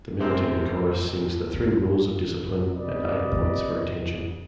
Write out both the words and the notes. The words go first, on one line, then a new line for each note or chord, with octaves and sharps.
The military chorus sings the Three Rules of Discipline and Eight Points for Attention.
A1 F#2 C4 C5
C3 B4 D5 D#5